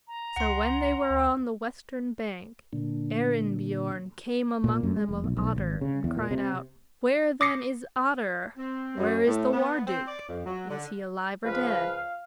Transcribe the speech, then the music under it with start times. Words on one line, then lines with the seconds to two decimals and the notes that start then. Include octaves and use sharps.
So when they were on the western bank Arinbiorn came among them of Otter, and cried out: "Where then is Otter, where is the War-duke, is he alive or dead?"
0.08 A#5
0.36 C#2 F#5 C6
1.10 D2
2.73 A#2 D3
4.64 A#2
4.83 F#2
4.96 G#3
5.09 F1
5.24 B1
5.37 B1
5.56 G#1
5.81 C#3
6.04 E2
6.17 A#2
6.31 C3
7.41 D6 D#6 A#6 C7 C#7
8.57 C4
8.97 F#2
9.25 A2
9.53 B3
9.87 C4
10.08 D5
10.27 F2
10.46 F#3
10.69 D3
11.44 C#2 F3 B4 F5